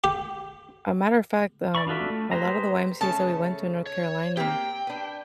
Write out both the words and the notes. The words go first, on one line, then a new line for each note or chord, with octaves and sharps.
A matter of fact, um, a lot of the YMCAs that we went to in North Carolina,
G4
D5 B5 C#6
D4 F4 F#4 A4 E5
A3
G4 G#4 B4 C5 A#5
C#3 A3 C#4 A4 A5
C#5
A#3 C4 G4 G5
D4 B4